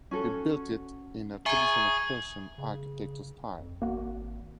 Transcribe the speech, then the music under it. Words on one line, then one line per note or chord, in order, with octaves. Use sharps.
He built it in a traditional Persian architecture style.
C#4 F#4 A4
G#4 E5 G#5 A#5 C#6 G#6
C#3
F2
G#1 A#3 F#4